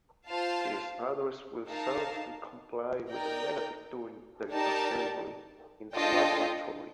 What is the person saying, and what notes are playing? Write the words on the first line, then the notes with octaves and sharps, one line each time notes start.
These addresses will serve to comply with the negative during their assembly in the laboratory.
F4 C5 F5 A5
D#4 A#4 F5 A5
D#4 A#4 D5 G5
D#4 G4 A#4 D5 A5
D4 F4 A4 D#5 G5